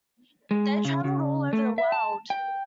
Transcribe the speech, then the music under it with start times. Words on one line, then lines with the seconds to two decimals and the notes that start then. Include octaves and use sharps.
They traveled all over the world.
0.51 G#3
0.85 C#3
1.04 C#3
1.53 A3
1.78 E5
1.92 A5
2.30 G5